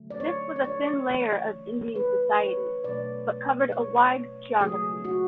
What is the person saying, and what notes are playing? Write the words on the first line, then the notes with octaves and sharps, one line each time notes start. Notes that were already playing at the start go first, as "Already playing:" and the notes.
This was a thin layer of Indian society, but covered a wide geography.
Already playing: D3 F#3 A3
D5
C#5
D5
C#5
C#3 E3 A3
B4
C#5
B2 F#3 A3 D5
C#5
C#3 F#3 A3 G#4
F#4